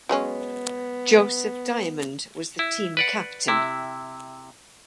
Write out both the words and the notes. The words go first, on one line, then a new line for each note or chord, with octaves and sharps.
Joseph Diamond was the team captain.
F#3 G#3 B3 C#4
E4
B4 D5 F#5
C3 E4